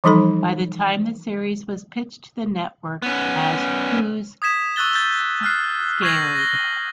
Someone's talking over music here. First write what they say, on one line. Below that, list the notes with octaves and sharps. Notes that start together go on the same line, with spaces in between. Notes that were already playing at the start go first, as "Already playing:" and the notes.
By the time the series was pitched to the network as Who's S-S-Scared?
E3 F3 G3 D#4 A4 B5
B3 C#4
D#6 G#6 B6 E7
C#6 E6 F#6 A6 G7
G6 A6
F6 F#6 C7
C#6 G6 G#6 A#6 C7 F#7
A#6 G7